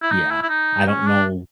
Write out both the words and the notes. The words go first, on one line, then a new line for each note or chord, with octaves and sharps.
Yeah, I don't know
E4
D#4
E4
E4
D#4
C#4
D4